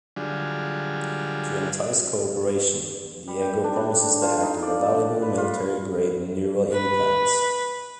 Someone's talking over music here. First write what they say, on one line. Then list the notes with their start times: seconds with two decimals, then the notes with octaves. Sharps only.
To entice cooperation, Diego promises the hacker a valuable military grade neural implant.
0.16 D3 F#3 G3 D4 F4 G#4
3.28 G3
3.42 G5
3.64 D4
3.76 D3
4.22 F4
4.43 D#4
4.62 D5
4.95 D3
5.22 B4
5.38 F4
6.72 B4